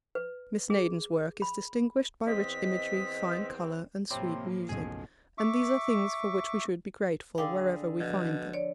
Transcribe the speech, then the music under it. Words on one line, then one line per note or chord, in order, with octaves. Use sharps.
Miss Naden's work is distinguished by rich imagery, fine colour, and sweet music, and these are things for which we should be grateful, wherever we find them.
B4
G#4
B5
E2 C4 D#5 B6
A2 C3 F3 A#3 C4 C#5 B5 D6
F#1 B1 G#4
E5 C#6 D6
D3 G#4 F5 G5 D6
B2 F3
C#5 D5